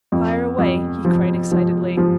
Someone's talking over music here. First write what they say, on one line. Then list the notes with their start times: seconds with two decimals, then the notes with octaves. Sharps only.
"Fire away!" he cried excitedly.
0.12 F2
0.58 F2
1.05 F3
1.52 F3
1.97 F3